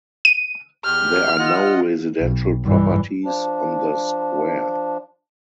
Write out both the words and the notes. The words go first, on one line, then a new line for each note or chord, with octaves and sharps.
There are no residential properties on the Square.
D#7
E2 G4 F6 G6
F4 D#5 F#5
B1
G2 E3
F3 D4